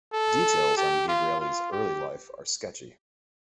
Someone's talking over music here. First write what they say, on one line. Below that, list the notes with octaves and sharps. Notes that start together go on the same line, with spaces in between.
Details on Gabrieli's early life are sketchy.
A4
G4
F4
F4
G4